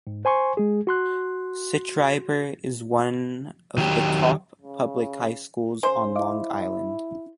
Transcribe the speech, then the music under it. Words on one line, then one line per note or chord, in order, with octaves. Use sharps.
Schreiber is one of the top public high schools on Long Island.
G#2
C5 G#5 C6 C#6
G#3 G#4
F#4 C6 F#6
D#3 F#3 G4
C#3
C#3 C5 G#5 C6
E4 D#5 F5 D6